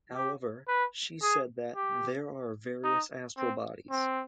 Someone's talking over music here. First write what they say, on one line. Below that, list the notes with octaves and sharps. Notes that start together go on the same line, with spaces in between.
However, she said that "there are various astral bodies".
G4
B4
G#4
G4
D#4
C4
C4